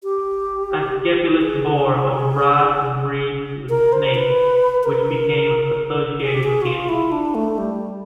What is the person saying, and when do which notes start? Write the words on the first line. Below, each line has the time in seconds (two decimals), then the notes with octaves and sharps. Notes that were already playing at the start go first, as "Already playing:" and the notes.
Asclepius bore a rod wreathed with a snake, which became associated with healing.
0.03 G4
1.41 G#4
3.69 A#4
3.93 C5
4.15 B4
4.84 A#4
6.21 G#4
6.34 G4
6.43 G#4
6.61 F#4
6.66 F4
6.89 E4
7.12 D4
7.35 A3
7.58 G3